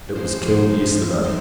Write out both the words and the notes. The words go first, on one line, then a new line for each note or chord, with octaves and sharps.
It was killed yesterday.
A2 F3 G#3 C5
A2 F3 G#3
D#3 G3 C4 D#4 C5